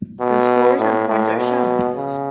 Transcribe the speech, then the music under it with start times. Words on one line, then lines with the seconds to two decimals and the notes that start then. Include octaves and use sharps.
The scores in points are shown.
0.20 B2
0.79 A2
1.09 A2
1.38 B2
1.96 C#3